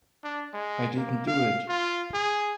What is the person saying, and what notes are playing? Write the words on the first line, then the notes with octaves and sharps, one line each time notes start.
I didn't do it.
D4
G#3
A#3
F5
F4
G#4